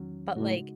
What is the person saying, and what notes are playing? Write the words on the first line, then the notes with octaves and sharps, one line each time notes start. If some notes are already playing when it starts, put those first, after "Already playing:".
But like
Already playing: E2 D#3 F#3 C#4
A2 C#3 G#3 D#4 F#4